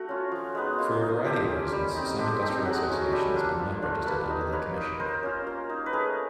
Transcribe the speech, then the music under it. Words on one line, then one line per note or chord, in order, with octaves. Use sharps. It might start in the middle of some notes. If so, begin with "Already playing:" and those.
For a variety of reasons, some industrial associations are not registered under their commission.
Already playing: A3 F#4
C#4 F4
F3
G#3 B3 D#4
A#3 F4
D#4
F3 G4 A4
A#3 C#4
G3
C4 D#4
G#3 G4 A4
C4 D#4 G4 A4
F#3 F#4 G#4
A3 C#4
G3 G4 A4
A#3 D4 F4
F3
A3 D4 F4
A#3 A4 B4
D#4
A#3 B4 C#5
D#4
A#3 A#4 C5
C#4 F4
A#3
D#4
B4
A3 G#4 A#4